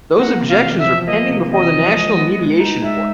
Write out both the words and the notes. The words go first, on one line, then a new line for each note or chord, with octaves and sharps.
Those objections are pending before the National Mediation Board.
A#3 F#5
C3
F5
E2
E5
F3
A#3 D#5
C3
E2 D#5
F3
G#3
B3
G#3
D#4
G#3 E5